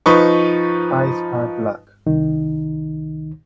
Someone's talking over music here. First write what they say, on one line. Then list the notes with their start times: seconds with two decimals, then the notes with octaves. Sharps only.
Eyes are black.
0.06 F3 D#4 B4 C#6
2.06 C2 D#3 D#4